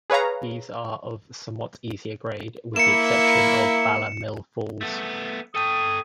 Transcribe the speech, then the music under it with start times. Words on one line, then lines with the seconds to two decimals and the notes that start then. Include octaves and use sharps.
These are of somewhat easier grade, with the exception of Bala Mill Falls.
0.10 G#4 B4 C#5 F5 A#5
2.76 A#3 E4 C#7 E7
4.81 A3 B3
5.55 A4 G5 D#6